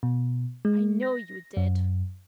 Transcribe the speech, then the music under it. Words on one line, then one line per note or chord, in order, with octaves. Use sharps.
"I know you did."
B2
G#3
A#6
F#2